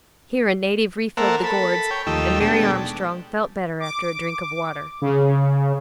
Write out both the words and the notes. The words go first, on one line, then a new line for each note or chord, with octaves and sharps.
Here a native refilled the gourds, and Mary Armstrong felt better after a drink of water.
A#3 A4 A#4 C5 E5 F#5
A4 B5
C#5 G5
D#2 F3 A3 D#4 G4 E6
B2 G#3 D4 G4 A4
D6
C#3